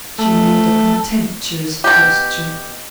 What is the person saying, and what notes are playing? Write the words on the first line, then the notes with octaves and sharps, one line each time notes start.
She made a contemptuous gesture.
A3
B2 G4